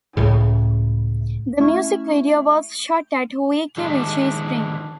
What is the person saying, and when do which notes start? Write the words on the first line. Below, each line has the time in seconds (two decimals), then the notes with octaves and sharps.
The music video was shot at Weeki Wachee Springs.
0.17 C#2 A2 C#3
1.60 A3 C#4 E4 E5 C#6
3.77 D3 D#3 F3 G#3 D4